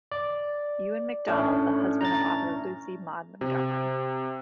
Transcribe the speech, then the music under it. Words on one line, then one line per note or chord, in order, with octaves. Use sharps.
Ewan Macdonald, the husband of author Lucy Maud Montgomery.
D5
A2 C#4 D4
A#5 A6
C3